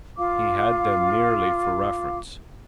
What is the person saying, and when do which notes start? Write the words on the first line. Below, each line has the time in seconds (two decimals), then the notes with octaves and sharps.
He had them merely for reference.
0.18 F4 F5 D6